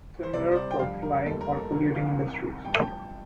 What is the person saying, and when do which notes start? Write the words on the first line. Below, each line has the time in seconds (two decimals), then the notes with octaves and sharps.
Similar for flying, or polluting industries.
0.23 C5
0.33 C2 C3 G3 D5
0.51 C5
0.56 D5
0.71 G5
0.79 F2 D3 G3 F5
1.02 A#4
1.26 F1 D#2 D#3 G3 A4
1.41 A#4
1.57 A4
1.72 F2 C3 F3 A#4
1.95 F5
2.19 C2 C3 D#3
2.65 A1 G2 F3 G5
2.73 A5
2.82 G5